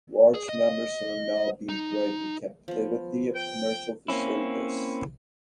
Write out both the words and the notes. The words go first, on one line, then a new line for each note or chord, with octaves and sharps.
Large numbers are now being bred in captivity at commercial facilities.
G#4
D#5
D#4
F3 B3
G5
A#3 C4 C#4 E4